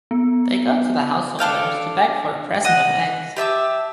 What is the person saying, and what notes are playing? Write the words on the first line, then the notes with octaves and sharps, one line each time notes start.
They go to the householders to beg for a present of eggs.
B3
D4 A4 F5 G5
D#5 F#5
G4 E5 A5 E6